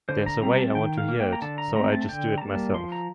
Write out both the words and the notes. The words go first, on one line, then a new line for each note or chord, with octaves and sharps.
There's a way I want to hear it, so I just do it myself.
D3 C5
A#5
G3 C4 A#5
A5
D#3 G5
F5
A#3
G5
A#5
D3 A5
A#5
A3 C4 A#5
A5
A5
D3 G5
A#5
G3 A#3 A5
F3 C6
A#5